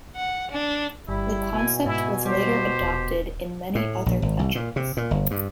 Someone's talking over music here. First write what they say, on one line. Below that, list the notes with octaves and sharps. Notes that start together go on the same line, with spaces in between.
The concept was later adopted in many other countries.
F#5
D4
G1 G3 E4
B2 G#5
G#2 E4 G#5
G3 G4 C5
D#1
A2
A#1
G#1
C2
A#2
C3
A#2
G1
G2